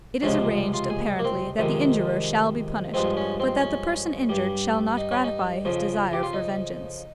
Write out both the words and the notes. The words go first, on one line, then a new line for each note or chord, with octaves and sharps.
It is arranged, apparently, that the injurer shall be punished, but that the person injured shall not gratify his desire for vengeance.
C#2 C3 F3 G#3 C#4
F4
G#4
A#3
C4
F2 C3 D#3 G#3
G2 F3 G#3 C4
C#4
C4
C#4
G2 G3
D#4
C#4
D#4
F2 C#3 F3
G4
F4
D#4